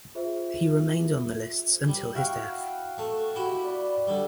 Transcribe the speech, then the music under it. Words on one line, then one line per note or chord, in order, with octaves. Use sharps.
He remained on the lists until his death.
F4 G#4 C5 E5
G3
E4 F#4 F5 G5
A3
E4 F#4 G4
D5 B5
D3 G3